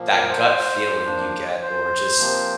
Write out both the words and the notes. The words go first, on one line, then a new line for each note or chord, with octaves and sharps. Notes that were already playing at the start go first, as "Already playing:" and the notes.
that gut feeling you get or just
Already playing: A#2 F3 A#3
A#4
A#4
C5
F3 A#3 D4
C5
C3 F3 A#3